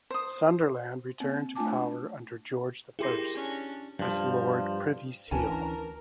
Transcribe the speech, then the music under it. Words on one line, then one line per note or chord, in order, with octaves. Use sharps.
Sunderland returned to power under George the First, as Lord Privy Seal.
C5 D#6
A#3 C4
A3 D4 F4 G#5 A5 D6
E4 G4 G#4 A#4 C6 A#6
C#4 D4
G2 F3
D2 E3 C#4 D4 A#4 G#5 A5